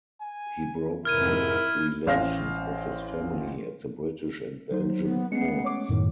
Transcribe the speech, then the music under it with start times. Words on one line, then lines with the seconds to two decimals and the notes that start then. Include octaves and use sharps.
He broke off relations with his family at the British and Belgian courts.
0.21 G#5
1.05 F2 G#2 C3 E4 A#4 F6 G#6 D#7
2.07 A1 C5 F5 F6 A#6
4.71 F#3 D#4 C5
5.03 B3
5.32 G#3 A3 B3 C#4 C7 C#7
5.65 C#5 D6
5.89 F#2 A2 D#3